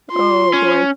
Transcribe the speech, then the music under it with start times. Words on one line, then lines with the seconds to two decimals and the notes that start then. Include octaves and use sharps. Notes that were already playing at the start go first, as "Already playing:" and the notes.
Oh, boy.
0.12 F4 C6
0.53 C#4